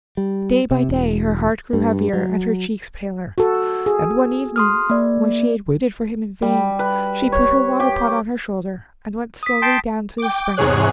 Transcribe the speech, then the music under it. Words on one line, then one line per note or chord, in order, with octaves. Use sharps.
Day by day her heart grew heavier and her cheeks paler, and one evening, when she had waited for him in vain, she put her water-pot on her shoulder and went slowly down to the spring.
G3
C3
E1
G2
F#3
F#4 A4
G#4
C6 D#6 F6
A#3 D5
G3
B4
C#5
G4
D#6 B6
G5 A5 C6
G5 D6
E2 G#2 C3 G#4 C#5 F#6